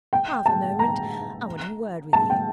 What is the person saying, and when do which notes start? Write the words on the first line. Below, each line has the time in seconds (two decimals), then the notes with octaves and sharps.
Half a moment: I want a word with you.
0.13 G5
0.46 A5
0.79 A#5
2.13 A5
2.30 G5